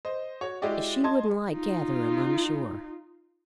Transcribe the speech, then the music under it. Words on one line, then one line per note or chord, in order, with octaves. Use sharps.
"She wouldn't like Gatherum, I'm sure."
C5 D#5
F#4 C#5
G#3 E4 F#4 G4 D5 D#5
D#5 A5 C6 G#6
D#4 F4